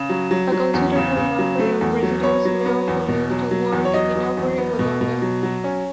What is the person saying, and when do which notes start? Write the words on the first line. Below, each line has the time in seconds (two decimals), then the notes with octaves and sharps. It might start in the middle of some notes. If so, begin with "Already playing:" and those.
A considerable number of residents now commute to work in Albury-Wodonga.
Already playing: C#3
0.10 F#3
0.31 F#3
0.52 F#3
0.74 E2
0.96 C#3
1.17 C#3
1.39 F#3
1.59 A3
1.81 E2
2.03 F#3
2.23 B3 C#5
2.45 F#3
2.66 B3
2.88 E2
3.08 B2
3.30 F#3
3.51 F#3
3.72 E2
3.85 C#5
3.94 F#3 D#5
4.15 F#3
4.37 E2
4.58 B3
4.79 B2
5.01 B2
5.22 F#3
5.43 F#3
5.64 C#4